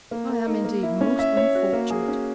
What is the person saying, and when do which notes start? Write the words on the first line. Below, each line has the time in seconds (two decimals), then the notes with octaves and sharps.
I am indeed most unfortunate.'
0.11 A#3
0.30 A#4
0.47 D#4
0.65 A#3
0.83 E4
1.01 C#4
1.19 E5
1.37 C#5
1.55 F#4
1.73 A#3
1.90 G#4
2.08 C#4